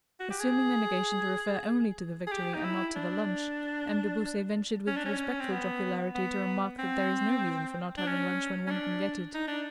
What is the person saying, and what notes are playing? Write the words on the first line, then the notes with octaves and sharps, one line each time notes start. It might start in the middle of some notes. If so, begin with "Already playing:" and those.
Assuming the negation to refer only to the victory and not to the lunch, M. de Beausset ventured with respectful jocularity to remark that there is no reason for not having lunch when one can get it.
F#4
G4
G#4
G#4
G4
D#4
E4
D4
C#4
D4
C#4
C4
B3
B3
C4
D4
C#4
C#4
D4
D#4
D4